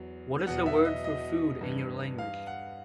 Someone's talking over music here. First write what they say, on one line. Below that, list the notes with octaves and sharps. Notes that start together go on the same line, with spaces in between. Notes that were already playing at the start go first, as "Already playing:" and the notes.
What is the word for 'food' in your language?
Already playing: E2 F#3
E2 B2 F#3 F#5
E5
D#5
D#5
G2 E3
F5
F#5